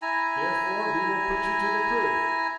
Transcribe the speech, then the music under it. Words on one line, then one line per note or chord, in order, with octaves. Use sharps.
Therefore we will put you to the proof.
E4 G#5 A#5